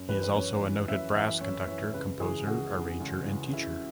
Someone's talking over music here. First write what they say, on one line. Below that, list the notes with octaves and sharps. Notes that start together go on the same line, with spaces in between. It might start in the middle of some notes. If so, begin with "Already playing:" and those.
He is also a noted brass conductor, composer, arranger and teacher.
Already playing: F#2
E3 B4
B4
F#2 C#5
E3
F#2 E5
E3 E5
F#2 C#5
E3 C#5
C#2 B4
C#3 E3 G#4
C#2 F#4
C#3 E3
C#2
C#3 E3
C#2 E4